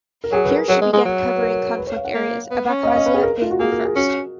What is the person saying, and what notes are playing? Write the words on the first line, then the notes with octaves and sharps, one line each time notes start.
Here she began covering conflict areas-Abkhazia being the first.
A#4
F#3 G#4
B4
A#4
F#3 G#4
G#3
G#3
F#3
B4
A#4
A#4
A#4
B4
C#5
F5
F#5
A#3
B3
C#4
D#5
F5
D#5
B4
G#4
A#4
F4
F#4
A#3 G#4
A#4
G#4
C#4 F#4